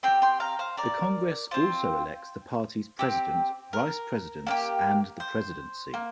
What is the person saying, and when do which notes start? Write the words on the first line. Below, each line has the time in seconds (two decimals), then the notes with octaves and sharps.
The Congress also elects the party's President, Vice Presidents and the "Presidency".
0.03 C4 G4 G5 C6
0.22 G5 C6
0.40 F5 A#5
0.59 C5 F5
0.77 A#4 D5
1.51 C4 F4 C5
2.99 C4 G4
3.73 A#4
4.47 A#3 D4 G4
5.20 C5
5.94 A#3